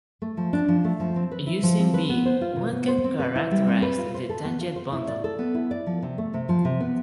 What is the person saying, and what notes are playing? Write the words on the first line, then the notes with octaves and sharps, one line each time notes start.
Using "V" one can characterize the tangent bundle.
A3
F3
D4
F3
A3
F3
C4
B4
E4
F3
C4
B4
B3
C5
F4
B2
B3
C5
C4
B4
E4
G3
C4
B4
F4
C5
A4
B3
F4
C5
E4
D5
A4
B3
E4
D5
F3
C3
A3
C3
F3
C3
B3